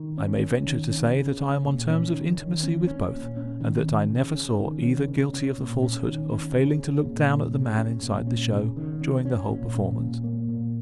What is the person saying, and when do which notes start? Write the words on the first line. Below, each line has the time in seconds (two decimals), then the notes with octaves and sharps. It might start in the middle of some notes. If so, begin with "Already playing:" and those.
I may venture to say that I am on terms of intimacy with both, and that I never saw either guilty of the falsehood of failing to look down at the man inside the show, during the whole performance.
Already playing: D#3
0.18 C#4
0.42 C#4
0.67 D#3
0.91 C#4
1.15 C#3
1.40 C#4
1.65 A#2
1.90 C#4
2.13 D#3
2.39 D#3
2.63 C#4
2.87 C#4
3.12 A#2
3.37 C#4
3.60 D#3
3.85 C#4
4.10 C#3
4.35 C#4
4.60 D#3
4.84 C#4
5.08 C#3
5.33 C#4
5.58 A#2
5.82 C#4
6.06 D#3
6.32 C#4
6.56 C#3
6.80 C#4
7.05 A#2
7.29 C#4
7.53 C#3
7.78 C#4
8.03 A#2
8.27 C#4
8.52 C#3
8.76 D#3
9.01 C#4
9.25 C#4
9.50 A#2
9.75 C#4
9.99 A#2
10.24 A#3
10.48 A#2